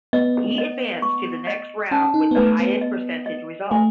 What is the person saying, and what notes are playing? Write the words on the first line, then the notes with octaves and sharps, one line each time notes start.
He advanced to the next round with the highest percentage result.
B3 D#5
D#5
C#6
D#5
C#4 A5
D#4
B3
A3 B4
B3
D#5
D#5
A3 G#5